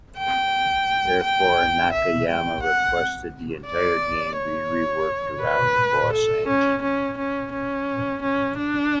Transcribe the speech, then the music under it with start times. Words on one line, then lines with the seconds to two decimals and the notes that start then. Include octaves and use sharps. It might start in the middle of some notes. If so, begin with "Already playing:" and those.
Therefore, Nakayama requested the entire game be reworked around the boss engine.
0.18 G5
1.23 G5
1.93 E5
2.28 G5
2.62 F#5
3.68 D5
4.38 C#5
5.43 B4
6.13 A4
6.47 C#4
6.82 C#4
7.18 C#4
7.52 C#4
8.22 C#4
8.57 D4